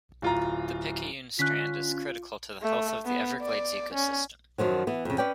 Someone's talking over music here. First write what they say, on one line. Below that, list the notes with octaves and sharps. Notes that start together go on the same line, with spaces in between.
The Picayune Strand is critical to the health of the Everglades ecosystem.
D1 F4 A#5
D3 C#4 F4 F#6 B6
A3
B3
D5
C#4
F#2 D#3 F3 F#3
E3 B3
F2 C#3
C#4 B4 D5 G5